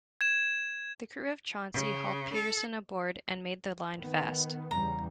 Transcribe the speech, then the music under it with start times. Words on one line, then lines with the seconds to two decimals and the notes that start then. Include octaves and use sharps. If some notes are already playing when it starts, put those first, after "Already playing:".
The crew of "Chauncey" hauled Peterson aboard and made the line fast.
0.21 G#6 E7
1.74 C#3
2.34 A4
3.96 D#3 B3
4.71 E2 C#3 G3 A#5